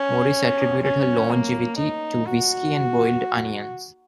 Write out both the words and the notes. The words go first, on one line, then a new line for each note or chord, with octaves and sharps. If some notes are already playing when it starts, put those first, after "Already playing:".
Morris attributed her longevity to whisky and boiled onions.
Already playing: C#4
C#4
A#3
D#4
F#4